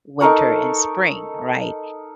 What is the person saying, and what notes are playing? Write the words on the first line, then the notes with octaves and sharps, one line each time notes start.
winter and spring, right?
D#4 A4 A#4 C#6